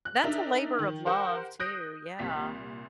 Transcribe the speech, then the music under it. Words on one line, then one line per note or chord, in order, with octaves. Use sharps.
That's a labor of love, too, yeah.
F#6
D4 D#4 A#4 E5
D#3
G4 A#4 C5 F#5
D#6 F#6 G6 A#6 D7
C2 A#2 B6